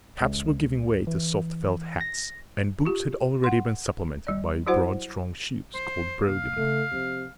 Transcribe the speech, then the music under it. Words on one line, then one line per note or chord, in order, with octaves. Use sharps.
Caps were giving way to soft felt hats, and boots had already been supplanted by broad, strong shoes, called brogans.
C#2
E3
A#6
F4 G4
F#5 C6
G3 D5
F#3 E4 F#4 C5 F#5
E3 C5
D#2 C3 F5
C#3 A3
C3 F3 C4